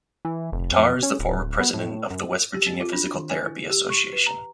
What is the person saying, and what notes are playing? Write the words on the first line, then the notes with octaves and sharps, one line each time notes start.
Tarr is the former President of the West Virginia Physical Therapy Association.
E3
F1
F2
C#4
D1
B3
A2
F#2
G4
C4
F4
D4
D#3
G#5
E4
G4
C#6
B4
A#5